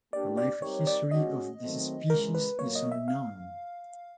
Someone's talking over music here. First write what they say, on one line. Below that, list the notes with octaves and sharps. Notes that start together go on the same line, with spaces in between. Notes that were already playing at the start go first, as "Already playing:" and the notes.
The life history of this species is unknown.
A#3 D4 G4 D5
D5
G3 C4 D#4 G4 A#4 C#5
D5
G#3 C#4 F#4 D#5
D#3 F#3 A3 C4
C#3 E3 G#3 A#4
B4
A#2 F#3 A#3 C#5
D#5
E5
F5